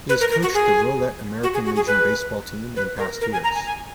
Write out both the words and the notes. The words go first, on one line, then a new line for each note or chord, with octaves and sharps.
He has coached the Rolette American Legion baseball team in past years.
B4
A#4
A#4
F#4
G#4
F#4
G#4
F#4
G#4
B4
B4
A#4
A#4
G#5
A#5
G#5
G#5